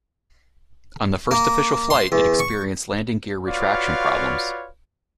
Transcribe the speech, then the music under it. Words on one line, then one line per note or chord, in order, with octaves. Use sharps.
On the first official flight, it experienced landing gear retraction problems.
A#3
C6
E2
C#6
F4 F#4 B4 C#5 D5 F5